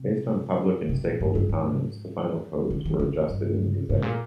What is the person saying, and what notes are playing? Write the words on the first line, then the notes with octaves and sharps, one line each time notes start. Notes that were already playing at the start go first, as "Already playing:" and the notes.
Based on public and stakeholder comments, the final codes were adjusted and gazetted.
Already playing: C3
C3
A#2
G2
G2
G#2
D3
D#3
D3
C3
G2
G#2
A#2